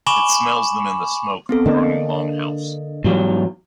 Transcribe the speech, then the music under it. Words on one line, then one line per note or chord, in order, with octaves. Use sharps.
It smells them in the smoke of a burning longhouse.
G#5 B5 C#6 D6 E7 F#7
B3 C4 A4
D3 A#3 D4 D#5
E2 G#2 E3 F#3 G3